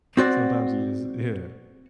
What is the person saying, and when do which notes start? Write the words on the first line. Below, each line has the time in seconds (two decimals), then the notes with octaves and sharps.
sometimes you just Yeah.
0.17 C4 F#4 D5